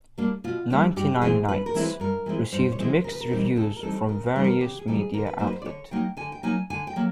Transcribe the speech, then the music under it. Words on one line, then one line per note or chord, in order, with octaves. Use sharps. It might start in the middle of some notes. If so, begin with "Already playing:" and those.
"Ninety-Nine Nights" received mixed reviews from various media outlets.
G3 A#3 D4
B2 F4
G3 A#3 D4
G2 G4
E3 G#3 C4 E4 G#4
G2 B4
A#4
E3 G#3 C4 E4
B4
G2 A#4
E3 G#3 C4 E4
G2 C5
C#5
E3 G#3 C4 E4 C5
C#3 A#4
B4
A#4
E3 G3 C4 D#4
C#3 A4
A#4
E3 G3 C4 D#4 A4
C#3 A#4
B4
E3 G3 C4 D#4
A#4
C#3 G4
G#4
E3 G3 C4 D#4 A4
G#4
D3 A#4
B4
F#3 A#3 D#4 C5
B4
C5
D5
D3 C#5
F#3 A#3 D#4 G5
D3 G#5
G5
F#3 A#3 D#4 G#5
D3 G#5
G5
F#3 A#3